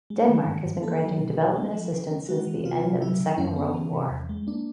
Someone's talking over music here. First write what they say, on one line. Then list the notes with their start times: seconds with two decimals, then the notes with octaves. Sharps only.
Denmark has been granting development assistance since the end of the Second World War.
0.10 G#3
0.29 D#3
0.46 G2
0.65 G2
0.83 A#3 A4
1.01 F#3
1.20 B2
1.38 B2
1.56 G#3
1.74 F3
1.92 C#3
2.10 C#4
2.28 G#3 F#4
2.47 E3
2.65 C3 F4
2.84 C3
3.01 F#3 E4
3.20 C#3
3.38 F#2 C#4
3.56 B3
3.74 E3
3.93 C3
4.11 E2
4.29 G#3
4.47 A#3 D4